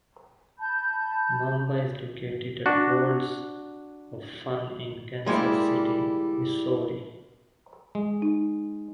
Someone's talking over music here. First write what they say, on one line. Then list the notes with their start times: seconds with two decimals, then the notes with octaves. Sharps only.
Mamba is located at Worlds of Fun in Kansas City, Missouri.
0.59 A5 B5 G6
2.66 D4 F#4
5.26 G3 G#3 A#3 E4
7.95 G#3
8.22 D#4